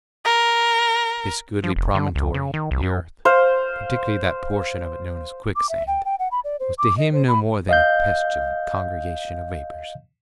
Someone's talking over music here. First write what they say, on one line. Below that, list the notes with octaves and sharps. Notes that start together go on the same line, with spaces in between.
This goodly promontory, the earth--particularly that portion of it known as Quicksand--was to him no more than a pestilent congregation of vapours.
A#4
F3
F1
D3
C#2
C#3
D#3
C2
F#2
C5 F5
D6
E5
G5
G5
F#5
B5
D5
C5
D6
D#5
C5
B5
D#5 F5 G6